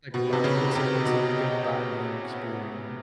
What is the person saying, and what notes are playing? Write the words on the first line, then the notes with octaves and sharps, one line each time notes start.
Like a bond it's a it's a good bonding experien
B2 C4 D#4 G4 B4
C3
C#3
C3
B2 D#4 G4 B4 D#5 G5
B3 E4 G#4 C#5 F#5